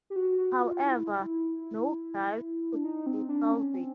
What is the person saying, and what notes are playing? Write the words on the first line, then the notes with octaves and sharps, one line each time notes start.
However, no glyphs could be salvaged.
G4
F#4
F#4
F4
E4
E4
D4
D#4
C4
D4
C#4
C4